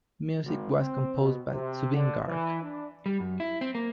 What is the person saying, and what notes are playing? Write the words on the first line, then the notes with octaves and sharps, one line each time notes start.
Music was composed by Zubeen Garg.
G#1
C4
B2
C3
D3
E3
D4
G3
F#2
E4
C4
A#3